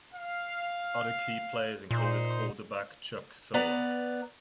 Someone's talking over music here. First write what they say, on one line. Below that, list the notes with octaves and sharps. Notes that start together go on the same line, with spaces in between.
Other key players included quarterback Chuck Zolak.
F5
A#2 D#4 C5
B3 B4 D5 A#5